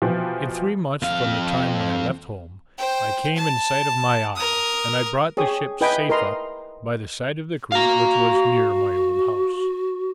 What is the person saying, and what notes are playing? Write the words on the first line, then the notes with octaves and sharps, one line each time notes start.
In three months from the time when I left home, I came in sight of my isle, and I brought the ship safe up, by the side of the creek, which was near my old house.
B2 E3 F3 G4
F2 F5
C5 G5
A5
A#4 D#6
G4 G#4 C#5 D#6
E4 B4 D#5 G5 G#5 B5
E4 A#4 B4 D#5 A#5 C6
F#4 F5 A#5